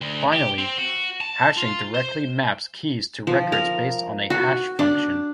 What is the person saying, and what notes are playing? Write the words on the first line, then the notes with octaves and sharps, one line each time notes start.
Finally, hashing directly maps keys to records based on a hash function.
D2
G4
C4
F#4
A5
F4
C5
F3
A#4
F#4
D4